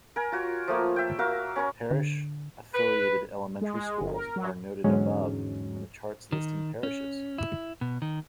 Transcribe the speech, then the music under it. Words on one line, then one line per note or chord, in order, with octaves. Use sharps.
Parish-affiliated elementary schools are noted above in the charts listing parishes.
A#4 G#5
F4 F#4 C#5
F3 A3 A#3
E5 G5
F#4 A#4 E5 F5
C#4 A#4 C#6
D3
B4
G#3
G#3
G1
A#4
F#3
E2 G#2 D3 F#3 G#3 C#4
D#3
C#4
E4
B2
D#3